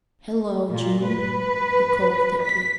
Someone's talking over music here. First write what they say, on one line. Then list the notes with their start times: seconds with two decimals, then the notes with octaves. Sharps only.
"Hello, June!" he called thickly.
0.71 A#2
1.08 B4
2.43 B6